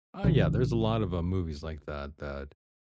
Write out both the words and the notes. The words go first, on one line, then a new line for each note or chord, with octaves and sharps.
Ah, yeah. There's a lot of, uh, movies like that that
A#1 C#3 E3